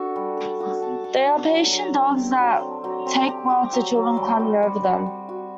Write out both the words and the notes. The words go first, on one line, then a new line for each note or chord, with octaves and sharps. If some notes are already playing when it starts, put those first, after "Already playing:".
They are patient dogs that take well to children climbing over them.
Already playing: D4 F#4 A4
G3
A4
F#4
A4
A4
D4
F#3
F#3
C4
G4
F#3
C4
F#3
C4
G4
G4
F#3
F#3
G3
F#4
G3
F#4
G3
F#4